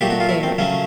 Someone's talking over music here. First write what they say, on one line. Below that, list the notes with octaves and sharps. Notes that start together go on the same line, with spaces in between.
But there!
A#2 F#3 A3 G4
F#4
F4
E4
C4
C#3 F#3 A3 C#4